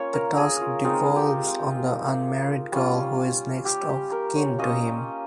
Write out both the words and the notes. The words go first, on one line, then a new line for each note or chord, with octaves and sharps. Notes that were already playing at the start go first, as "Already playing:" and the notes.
The task devolves on the unmarried girl who is next of kin to him.
Already playing: A#3 C#4 F4 C#5
A#4
G#4
F4
G#3 C4 D#4 F4
G4
F4
G3 C#4 F4
G4
G4
A#4
C#5
A#3 C#4 F4 D#5